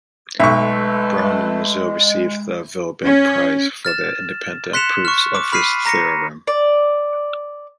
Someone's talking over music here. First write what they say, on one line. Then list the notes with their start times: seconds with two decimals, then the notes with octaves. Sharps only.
Brown and Mazur received the Veblen Prize for their independent proofs of this theorem.
0.40 B1 G#3 A3 B4 E5 C#6
3.04 C#4
3.85 F6 A6 E7
4.73 C6 F#6 B6 C#7 E7 F7
5.05 C#6 F6
5.35 D6
5.52 B5 F6 B6 C7 D#7
5.85 A#5 A#6 B6 C#7
6.47 D5